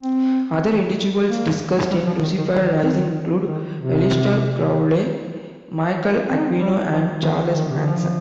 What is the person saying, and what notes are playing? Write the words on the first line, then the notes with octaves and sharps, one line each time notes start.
Other individuals discussed in "Lucifer Rising" include Aleister Crowley, Michael Aquino, and Charles Manson.
C4
A#3
G3
F3
D#3
D#3
G3
C4
D#3
D#3
C3
C4
D#4
C4
G3
F3
D#3
D#3
C3
D#3
F3